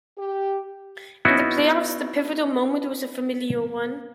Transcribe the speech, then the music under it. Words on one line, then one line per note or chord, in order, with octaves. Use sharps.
In the playoffs, the pivotal moment was a familiar one.
G4
B3 C#4 D#4 E4 F#4